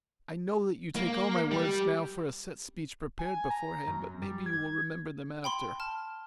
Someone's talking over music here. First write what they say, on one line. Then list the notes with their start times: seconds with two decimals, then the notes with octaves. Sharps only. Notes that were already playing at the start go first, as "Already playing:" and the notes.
I know that you take all my words now for a set speech prepared beforehand, but maybe you will remember them after.
0.96 A#3
1.51 G3
3.19 G#5
3.50 A#5
3.87 F#2
4.22 G3
4.46 G#6
5.44 G5 B5 C6
5.80 A5 F6